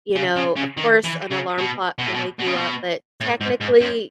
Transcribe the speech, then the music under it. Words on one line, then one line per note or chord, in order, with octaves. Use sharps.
you know, of course, an alarm clock can wake you up, but technically,
C#3
C#3
C#3
D#3
E3
C#3
B2
B2
A2
B2
B2
C#3
B2
A2
G#2
G#2
F#2